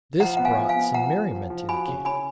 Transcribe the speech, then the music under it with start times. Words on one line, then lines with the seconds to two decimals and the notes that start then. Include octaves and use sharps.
This brought some merriment in the camp.
0.20 F3 F#5 A#5
0.37 B3 F#5
0.45 F5 G#5
0.57 F3
0.69 F5 G#5
0.76 B3
0.94 F3 F#5 A#5
1.13 F3
1.31 F3
1.50 F3
1.68 F#4 G#5 B5
1.88 C#3
2.05 C#4 G#5 B5